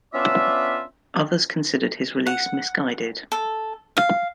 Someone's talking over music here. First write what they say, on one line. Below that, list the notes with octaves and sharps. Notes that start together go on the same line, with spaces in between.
Others considered his release misguided.
B3 C#4 D4 F4 D5 E5
F#5
A4
F5